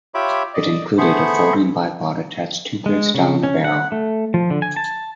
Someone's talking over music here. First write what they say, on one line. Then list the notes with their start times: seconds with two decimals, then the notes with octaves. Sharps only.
It included a folding bipod attached two-thirds down the barrel.
0.14 F4 G4 C#5 E5 B5 D6
0.54 D5 D#5
0.98 A3 B3 G#4 C5 B5 C#6
2.86 G#3
3.15 C#3
3.44 C#4
3.64 F#5
3.92 A3
4.34 F3
4.50 D3
4.62 G#5
4.76 A5